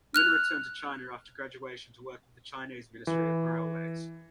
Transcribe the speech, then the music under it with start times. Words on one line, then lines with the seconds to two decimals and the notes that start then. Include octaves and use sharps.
Lin returned to China after graduation to work with the Chinese Ministry of Railways.
0.14 F6 F#6 F7
3.07 E3